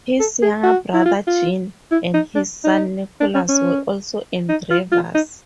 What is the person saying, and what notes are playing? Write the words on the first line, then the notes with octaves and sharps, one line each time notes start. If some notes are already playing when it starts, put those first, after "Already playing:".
His younger brother Jean, and his son Nicholas, were also engravers.
A4
G#4
F#4
E4
F4
F4
E4
D#4
D4
D#4
D4
C#4
C#4
D#4
F4
F4
D#4